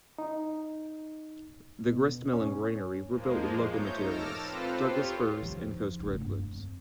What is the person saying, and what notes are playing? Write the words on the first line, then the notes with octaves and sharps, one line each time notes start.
The gristmill and granary were built with local materials, Douglas firs and coast redwoods.
D#4
B2
C#4
F3 G#3 A#3
A3 D#4 C#5 G6
A5 D6 E6 F6 A#6
C4 F4 A4 B4 C5
F4 G4 C#5
F3 D#4
F1 D3
G2 A#3
F2